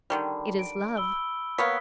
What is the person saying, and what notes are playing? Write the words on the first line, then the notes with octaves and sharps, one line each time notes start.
It is love.
D3 D#3 G3
D7
B5 E6 G7
A#3 B3 C#5 D#6 B6